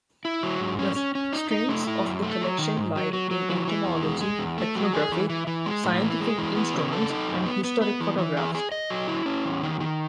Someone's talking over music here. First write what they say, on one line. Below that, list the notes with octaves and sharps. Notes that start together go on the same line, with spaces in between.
The strengths of the collection lie in entomology, ethnography, scientific instruments, and historic photographs.
E4
F#3
G#2
C#4
C#4
C#4
D#4
D#4
A3
E4
F#2
A3
F#3
D#3
G#2
F#3
F#3
F#3
E3
E3
E2
G#3
G#3
E2
A3
F#3
G#4
E3
E3
E3
G#3
A2
E3
G#3
E3
B3
C#3
A4
D#4
F#2
B3
B3
B3
E3
E3
G#4
G#4
D#5
F#3
E4
C#4
E2
D#3
D#3